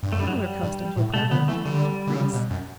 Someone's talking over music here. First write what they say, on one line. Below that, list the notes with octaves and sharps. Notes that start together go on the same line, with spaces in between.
Similar customs were prevalent in Ancient Greece.
G2
F#2 A3
G3
F#3
G3
G2
A2
B2 A3
D3 B3
E3 A3
D3 G3
D3
C#3
B2
F#2